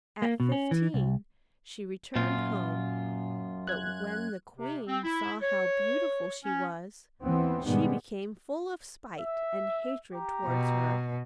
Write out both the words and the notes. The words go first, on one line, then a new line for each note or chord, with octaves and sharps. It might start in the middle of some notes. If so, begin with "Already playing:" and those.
At fifteen she returned home, but when the Queen saw how beautiful she was, she became full of spite and hatred toward her.
A#3
B2
C#4
E3
C2
F#2 A#2 F4
F#6 G#6
C3
C4
E4
C#5
C#4
D#2 E3 B3 C4
G#2 B2 D#3 G3 G#3 B3
E5
G4 A#5
B2